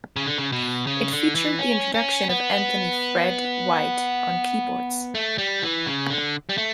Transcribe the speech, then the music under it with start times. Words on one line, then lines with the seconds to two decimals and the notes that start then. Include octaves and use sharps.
It featured the introduction of Anthony "Fred" White on keyboards.
0.16 C#3
0.26 D3
0.38 C#3
0.52 B2
0.87 C#3
1.11 D3
1.35 E3
1.59 C#4
1.94 C#4
2.29 B3
5.15 A3
5.38 G3
5.62 E3
5.86 C#3
6.10 D3
6.49 G3
6.58 A3